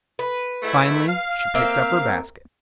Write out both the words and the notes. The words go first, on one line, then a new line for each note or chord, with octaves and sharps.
Finally she picked up her basket.
B4
G#2 A3 E4
F5
A#3 C4 E5